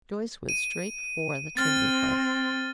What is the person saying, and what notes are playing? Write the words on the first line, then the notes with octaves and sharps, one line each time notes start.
Joyce went straight for the chimney-place.
D#7
C4 F6 A6